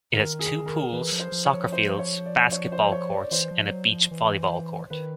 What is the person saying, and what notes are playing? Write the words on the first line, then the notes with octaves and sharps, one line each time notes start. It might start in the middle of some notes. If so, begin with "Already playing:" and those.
It has two pools, soccer fields, basketball courts and a beach-volleyball court.
D#3 A#4
G#4
A#4
E3 B4
F3
C5
F3
C#5
F3
C5
C#5
D5
C#5
C5
C#5
D5
E3 C5
F3
F#3
F3
E3
D#3 B4